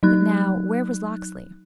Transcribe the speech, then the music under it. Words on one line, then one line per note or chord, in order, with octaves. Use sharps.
"But now, where was Locksley?"
F#3 D#4 F#6